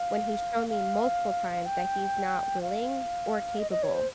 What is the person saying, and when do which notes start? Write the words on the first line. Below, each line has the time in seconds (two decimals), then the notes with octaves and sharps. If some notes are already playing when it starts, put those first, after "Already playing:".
when he's shown me multiple times that he's not willing or capable
Already playing: F5
0.69 F5
1.66 G5
2.62 F5
3.59 D#5
3.71 D#5
3.83 C#5
3.94 C5